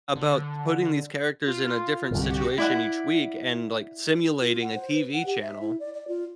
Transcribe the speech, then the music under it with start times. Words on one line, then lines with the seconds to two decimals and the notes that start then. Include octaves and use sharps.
about putting these characters in a different situation each week and, like, simulating a TV channel
0.16 D3
1.47 F4
2.11 C2 G2 D3 F#4 G4
2.58 E4 D5 F#5
4.41 F4
4.62 F#5
4.74 C5
4.94 B4
5.13 F#5
5.25 G4
5.42 E5
5.61 E4
5.80 D5
5.94 D5
6.08 F4